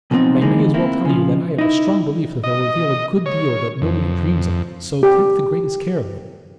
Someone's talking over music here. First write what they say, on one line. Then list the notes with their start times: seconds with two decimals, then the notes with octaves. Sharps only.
"But I may as well tell you that I have a strong belief that they'll reveal a good deal that nobody dreams of, so take the greatest care of them."
0.11 B1 B2 F3 A#3 C4 D#4
0.41 D3 E3 G#3 A#3 D#4
0.74 A#3 C4 E4
1.05 C#3 F3
1.58 D#4 E4
2.44 D#5
3.26 C#5
3.82 F2
5.03 G4